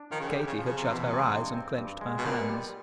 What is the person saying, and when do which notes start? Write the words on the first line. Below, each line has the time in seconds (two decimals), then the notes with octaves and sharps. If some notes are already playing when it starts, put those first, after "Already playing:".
Katie had shut her eyes, and clenched her hands.
Already playing: D4
0.11 D#3 F3
0.20 C#3
0.28 D3
0.35 G4
0.47 C#3
0.58 F3
0.65 C#3
0.77 C3
0.83 E3
0.90 B2
1.04 C3 G#3
1.30 G2
1.54 C4
1.78 G2
2.01 G#3
2.18 B2
2.25 A#2 B3
2.49 G3